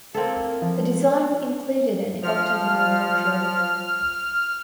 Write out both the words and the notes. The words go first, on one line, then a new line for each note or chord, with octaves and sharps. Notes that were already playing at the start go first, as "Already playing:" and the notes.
The design included an octagonal mortuary.
A#3 C4 E4 A4
F3
F3 F6